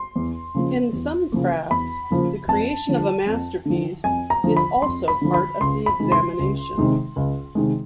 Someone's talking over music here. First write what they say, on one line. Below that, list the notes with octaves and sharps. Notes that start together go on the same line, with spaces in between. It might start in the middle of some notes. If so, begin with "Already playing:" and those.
In some crafts, the creation of a masterpiece is also part of the examination.
Already playing: C6
E2
C#3 F3 A#3
E2
C#3 F3 A#3
E2 B5
C#3 F3 A#3
F2 A5
D3 F3
F2
D3 F3
F2 G#5
A#5
D3 F3
B5
F2 C6
B5
D3 F3
B5
C#2 C6
B5
C3 D#3 G#3
C6
C#2
C3 D#3 G#3
C#2
C3 D#3 G#3